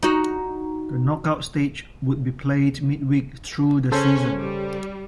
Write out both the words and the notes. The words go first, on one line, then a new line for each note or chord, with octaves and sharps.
The knockout stage would be played midweek through the season.
D#4 F#4
C#3 C#4 A4 C5
G3